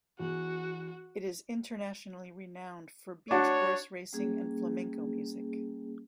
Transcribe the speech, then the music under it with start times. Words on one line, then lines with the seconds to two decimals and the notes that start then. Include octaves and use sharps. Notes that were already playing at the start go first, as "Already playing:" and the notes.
It is internationally renowned for beach horse racing and flamenco music.
0.20 E2 F#4
3.31 D4 F#4 C#5
4.13 G3 A#3 C#4 G#4